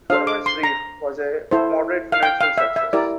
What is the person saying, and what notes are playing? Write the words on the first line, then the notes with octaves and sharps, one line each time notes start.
"Donovan's Reef" was a moderate financial success.
D4 A4 C5 F5
D6
C6
A#5
E4 A4 C5
F5
G5
F5
E5
E5
E4 G4 A#4 D5